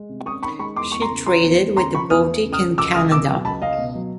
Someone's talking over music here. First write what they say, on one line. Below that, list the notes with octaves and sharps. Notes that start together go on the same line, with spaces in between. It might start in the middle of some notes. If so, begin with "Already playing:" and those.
She traded with the Baltic and Canada.
Already playing: G#3
C3
C#4 C#6 D#6
D#3 B5 C#6
G#3 B5 C#6
E2 C6 D6
E2 C#6
A#5 C6
C#3
F3 A#5 C6
E2
E2
C#3 A#5 C6
F3 B5 C#6
E2 D#6 F6
E2
C#3
D#6 F6
F3
C#2 D6 E6
C#2 D#6 F6
B2 D6 E6
F#3
C#2 A5 B5
C#2 D#5 F5
B2
F#3